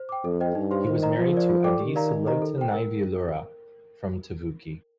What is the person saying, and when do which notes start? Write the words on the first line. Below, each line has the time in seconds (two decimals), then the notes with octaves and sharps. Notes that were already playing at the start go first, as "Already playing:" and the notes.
He was married to Adi Salote Naivalurua from Tavuki.
Already playing: C5
0.09 G5 D6
0.24 F2 A4
0.40 C5 D#5 G5
0.55 G2 D#4
0.71 G4 C5 F5 C6
0.86 D#3 C5
1.02 D#5 A#5
1.17 F3 F4
1.33 A#4 D5
1.49 F4
1.64 A4 D5 G5 D6
1.80 D#3 G4
1.96 A#4 D5 F5 A#5
2.11 D#4
2.27 G4 C5 D#5 A#5
2.42 A4
2.58 C5 G5
2.73 A#4